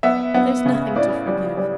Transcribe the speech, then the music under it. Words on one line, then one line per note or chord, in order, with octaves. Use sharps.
"But there's nothing to forgive."
B3 E5
B3
C#3
A2 D5
G3
G3